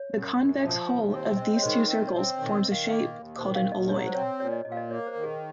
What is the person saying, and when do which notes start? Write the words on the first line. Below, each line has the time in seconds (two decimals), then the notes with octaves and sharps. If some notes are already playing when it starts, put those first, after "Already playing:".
The convex hull of these two circles forms a shape called an oloid.
Already playing: C#5
0.11 F#2
0.36 F#2
0.62 F3
0.87 D#2
1.12 C4
1.37 G#3 D#5
1.56 C#5
1.62 D#3 C5
1.75 D#5
1.87 C4 D#5
2.07 C#5
2.13 C4 D#5
2.38 D#3 C#5
2.55 D#5
2.63 D#3
2.72 F5
2.88 A#3 F5
3.13 D#2
3.39 D#3 C5
3.55 F5
3.64 D#2
3.72 D#5
3.89 F#3 C#5
4.07 C5
4.14 C4 C#5
4.40 A#2 C#5
4.53 D#5
4.65 A#2 D#5
4.72 F5
4.77 D#5
4.90 A#3 C#5
5.07 C5
5.15 D#3
5.23 G#4